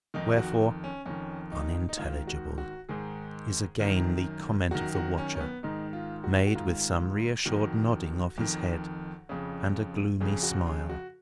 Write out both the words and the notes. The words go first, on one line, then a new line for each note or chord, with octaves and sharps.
Wherefore 'unintelligible!' is again the comment of the watcher, made with some reassured nodding of his head, and a gloomy smile.
F2 D#3 D#4
F#4
C#4
F2 D#3 C#4
D#4
D#4
G#2 D#3 F4
F#4
F#4
G#2 D#3 G#4
F#2 D#3
F#2 D#3 F#4
F#4
C#4
C#4
B3
G#2 D#3 D#4
F4
F#4
F#4
G#2 D#3 F4
F2 D#3 F#4
F2 D#3
F2 C#3
F2 C#3 G#4
F#4
G#4
F#4